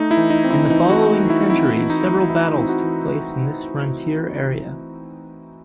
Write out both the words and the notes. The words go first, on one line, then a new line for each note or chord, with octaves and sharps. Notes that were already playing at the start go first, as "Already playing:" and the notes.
In the following centuries, several battles took place in this frontier area.
Already playing: A3 D#4
E4
E3
D#4
C4
E4
E3 D#4
F#4
A3
E3
E4
C4 E4
E3
D#4
A3
E3 E4
C4
F#4
E3